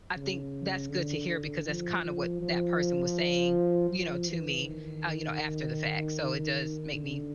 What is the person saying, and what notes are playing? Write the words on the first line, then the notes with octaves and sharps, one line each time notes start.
I think that's good to hear because that's kinda what that person was saying, you know, to me, uh, you know, after the fact. So, it does make me
C#3
D3
D3
F3
F3
F3
F3
E3
D#3
D3